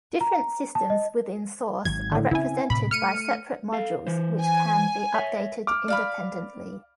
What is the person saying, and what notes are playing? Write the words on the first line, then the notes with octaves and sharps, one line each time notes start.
Different systems within Source are represented by separate modules which can be updated independently.
A#5
A5
D#5
G#1 D#3 F#3 G#6
A2 D3
C#3 C4 E4 G#5
A2 C3 B5
A3 F6 C#7 D#7
A4 F5
E3 C5
G#5
C#5 E5
D6 F6
D5 F5 B5